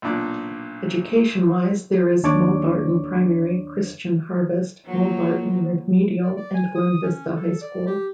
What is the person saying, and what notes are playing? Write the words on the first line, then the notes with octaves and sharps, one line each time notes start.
Education-wise there is Mulbarton Primary; Christian Harvest; Mulbarton Remedial and Glenvista High School.
B1 A#2 D4
D#2 D4 C#5 D5 D6
F3 F#3 A#3
D5
D5
G#5
D#6
C#4
A4
D5
G4